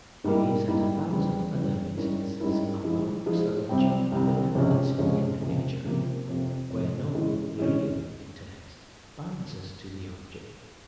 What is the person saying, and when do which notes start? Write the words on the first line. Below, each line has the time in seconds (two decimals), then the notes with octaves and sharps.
These and a thousand other instances are marks of a general benevolence in human nature, where no REAL interest binds us to the object.
0.24 G#2 G3 A#3 E4 A#4
0.68 G#2 G3 A#3 E4 A#4
1.11 E2 C#3 G3
1.54 E2 C#3 G3
1.97 G#2 G3 C#4 E4 A#4
2.40 G#2 G3 C#4 E4 A#4
2.83 F3 G#3 E4 G#4
3.26 F3 G#3 E4 G#4
3.69 C2 C3 G3 C4
4.12 C2 C3 G3 C4
4.55 C#2 C3 F3 G#3 C#4
4.98 C#2 C3 F3 G#3 C#4
5.42 C#2 C3 F3 A#3
5.85 C#2 C3 F3 A#3
6.28 F2 C3 F3
6.70 F2 C3 F3
7.15 E3 G#3 C#4
7.57 E3 G#3 C#4